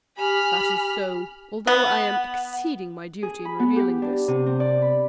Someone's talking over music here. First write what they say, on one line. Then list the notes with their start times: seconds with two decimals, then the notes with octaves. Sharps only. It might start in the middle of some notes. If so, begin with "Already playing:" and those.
"That is so, although I am exceeding my duty in revealing this."
0.18 G4 G#5 B5 F6
1.67 B3
3.23 G#4
3.45 B5
3.59 B3
3.76 G4
4.02 D4
4.28 C3
4.46 C4
4.60 D5
4.82 B5